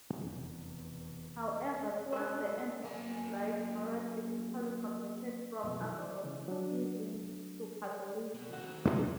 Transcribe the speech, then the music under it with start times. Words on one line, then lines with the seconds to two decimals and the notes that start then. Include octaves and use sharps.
However, towards the end of his life Maurras eventually converted from agnosticism to Catholicism.
0.20 F1 E2
2.13 B2 F#3 G#3 A#4
2.84 F#3 A#3 G#5
5.63 C2 F#2 B2 F3 B3
5.81 E3 F#3 G#3 D#4
5.97 C5 D5 D#5
6.23 C#3 E3 G#3 C#4
6.48 F#3 D4
8.34 B2
8.53 D#3 C4 F#4